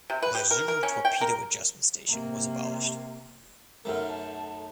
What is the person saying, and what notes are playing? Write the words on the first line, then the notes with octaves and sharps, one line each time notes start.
Maizuru torpedo adjustment station was abolished.
C3
B4
G4
A#4
A#4
C#4
G5
A#4
C3 A#3
B1 F#2 A3 A#4
A5